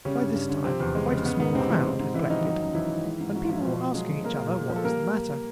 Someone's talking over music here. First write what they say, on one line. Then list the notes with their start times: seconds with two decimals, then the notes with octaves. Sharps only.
By this time, quite a small crowd had collected, and people were asking each other what was the matter.
0.05 C#3 G3 C#4
0.20 G2
0.35 G2
0.49 D3
0.64 C3 F3 C4
0.80 E2
0.95 G#3
1.10 C#3
1.25 G#3 B3
1.39 G#2 B3
1.55 G#2 C3 C4
1.69 E3
1.85 G#3
2.00 G#2
2.14 G#2 E3 E4
2.30 D#3 F3 D#4
2.45 F#3
2.60 F#2
2.75 F#2 E3 E4
2.90 D#3
3.05 G#3
3.20 G#2
3.35 G#2 F#4
3.44 F4
3.49 F3 E4
3.62 B2 F3 F4
3.80 B2
3.94 F#3 G#3 G#4
4.09 F#3
4.24 G#3 A#3 A#4
4.40 A#2
4.55 A#2
4.70 F3
4.76 A4
4.84 G3 A#3 A#4